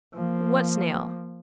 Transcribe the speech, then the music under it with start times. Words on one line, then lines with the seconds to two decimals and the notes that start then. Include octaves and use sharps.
"What snail?"
0.15 F3 A#3